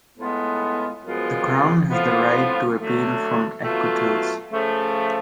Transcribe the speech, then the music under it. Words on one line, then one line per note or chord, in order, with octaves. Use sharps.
The Crown has the right to appeal from acquittals.
A2 G#3 B3 F4
F#2 F3 G#3 B3 F4
A2 F3 B3 F4
D3 F#3 A3 D4
B2 F#3 A3 F4
C#3 F3 A3